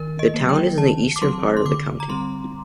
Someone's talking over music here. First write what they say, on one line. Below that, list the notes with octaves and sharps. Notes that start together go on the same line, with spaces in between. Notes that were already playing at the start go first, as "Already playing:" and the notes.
The town is in the eastern part of the county.
Already playing: D#3 A#4
D#5
F#3 A#3
G5
D#3 A5
D6
F#3 C4 C6
C6
D3 D6
A#5
G3 C4 C6